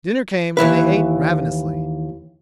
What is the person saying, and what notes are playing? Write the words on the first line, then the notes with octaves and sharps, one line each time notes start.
Dinner came and they ate ravenously.
D#2 E3 E4 B4